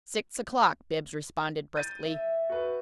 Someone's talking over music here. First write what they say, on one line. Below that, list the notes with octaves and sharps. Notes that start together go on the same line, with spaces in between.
"Six o'clock," Bibbs responded, briskly.
G6 A6 D#7
E5
F#4 B4